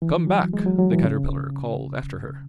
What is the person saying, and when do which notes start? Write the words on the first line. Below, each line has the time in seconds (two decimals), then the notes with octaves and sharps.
'Come back!' the Caterpillar called after her.
0.02 E3
0.27 F#3
0.53 G#3
0.66 F#3
0.78 F#3
0.92 E3
1.05 C#3